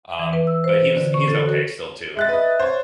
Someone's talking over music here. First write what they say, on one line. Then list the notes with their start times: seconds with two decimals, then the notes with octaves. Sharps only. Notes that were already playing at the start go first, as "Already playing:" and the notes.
um, but he was he was okay still too.
0.19 E3
0.33 B4
0.47 E6
0.64 C5
0.97 D3
1.14 C#6
1.28 A4
1.46 F#4
2.17 G#3 E5 F#6 A6
2.29 B4 D#5
2.60 C5 C#5